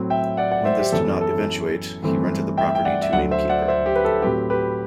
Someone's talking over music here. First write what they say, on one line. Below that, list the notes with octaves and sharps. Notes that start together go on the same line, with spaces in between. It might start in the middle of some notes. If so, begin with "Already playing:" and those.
When this did not eventuate, he rented the property to an innkeeper.
Already playing: A2 F#3 C4
E5 G5
D5 F#5
D5 F#5
C5 E5
G4
F#2 E3 B3 A4
A4
G2 E3 A3 C4
E5 G5
G5
D5 F#5
E5
D2 D3 F#3 D5 F#5
C5 E5
D5 F#5
C5 E5
G4
B4
A4
A2 F#3 C4 G4 B4
G4 B4